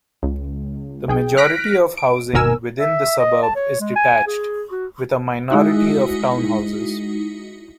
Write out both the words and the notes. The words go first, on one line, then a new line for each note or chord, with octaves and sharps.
The majority of housing within the suburb is detached, with a minority of townhouses.
C#2
B1 G#4 G5
F6 F#6 A#6 B6 D7
D7
G1 D#2 B2 A#4 G#5 E6
E5
D#5
A5
C#5
G#3
G#5
G#4
F#4
G#3 D#4 E4 F#4